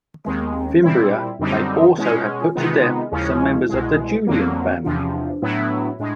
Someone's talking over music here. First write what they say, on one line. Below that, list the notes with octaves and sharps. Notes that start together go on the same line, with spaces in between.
Fimbria may also have put to death some members of the Julian family.
D#2 D#3 G#3 C4
B3
C4
C#4
A#2 G3 C4 E4
F#2 D3 G3 C4 D#4
B2 G#3 C#4 E4
F4
F4
C3 D#3 G#3 B3 D#4
D#2 C#3 F3 G#3 C#4 E4
C2 B2 G#3
F2 D3 F#3 A#3 C4
E2 C3 F3 D4
C#4
D4
A2 F#3 B3 E4
A2 G#3 D4